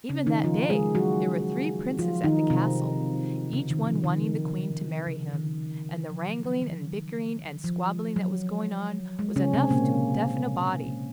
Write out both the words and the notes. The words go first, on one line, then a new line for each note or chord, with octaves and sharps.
Even that day there were three princes at the castle, each one wanting the queen to marry him; and the wrangling and bickering and squabbling that was going on was enough to deafen a body.
C#3 C#4
D#3 D#4
F3 F4
G#3 G#4
F#3 F#4
F3 F4
D#3 D#4
C3 C4
C#3
D#3
F3
D#3
C#3
D#3
F3
F#3
F#3
D#3
F3
F#3
G#3
C#3 C#4
C3 C4
A#2 A#3